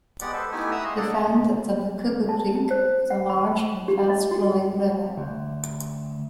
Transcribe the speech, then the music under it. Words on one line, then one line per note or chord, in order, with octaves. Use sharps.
He found that the Lukuga creek was a large and fast-flowing river.
G#3 B3 G4 D5 F#5
A4 B4 C5
A3 B3 D#4 E4 G4 G#5
E5 F#5 A#5 D#6 E6
G#3 D#5 F5
A#3 D4 A4 D5 D#5 F#5
A5
A5
C5
F#5
B5
G4
D#5
F#4
D2